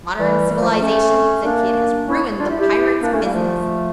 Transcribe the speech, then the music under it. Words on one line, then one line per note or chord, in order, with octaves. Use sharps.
Modern civilization," said Kidd, "has ruined the pirate's business.
E3 G3
E3 G3
F3 A3
F3 A3
A3 C#4
A#3 D4
C#4 E4
D4 F4
E4 G4
E4 G4
A#3 D4
A3 C#4
G3 A#3
F3 A3